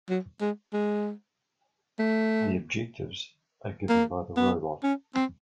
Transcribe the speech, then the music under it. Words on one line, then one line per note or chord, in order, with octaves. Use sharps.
The objectives are given by the robot.
F#3
G#3
G#3
A3
A#3
B3
C#4
C4